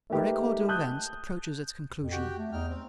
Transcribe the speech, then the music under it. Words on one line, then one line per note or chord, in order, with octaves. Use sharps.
MY record of events approaches its conclusion.
A3 A#3 D#4 G4 B4
A5 D#6 F#6 G6
F2
F#4 G4 G5
A3
E2 D#4 G5 F6
C4